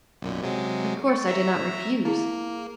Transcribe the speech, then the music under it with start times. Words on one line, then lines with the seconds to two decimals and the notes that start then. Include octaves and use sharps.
Of course I did not refuse.
0.22 B1 F#2 A#2
0.42 C3 F#3 G#3
1.08 C#6 A6 C#7
1.28 E5 A#5
2.05 A#3 E4 G#4